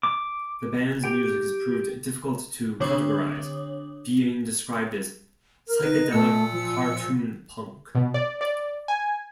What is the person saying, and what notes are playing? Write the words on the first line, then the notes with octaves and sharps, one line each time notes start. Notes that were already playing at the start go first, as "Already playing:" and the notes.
The band's music has proved difficult to categorize, being described as "psychedelic cartoon punk".
D6
G4 G5
D3 D4 C#5 D6 D#6 F#7
A#4
D#4 B4 A#6
A#2 A3 E6 C#7
F3
B2
D5
D5
G#5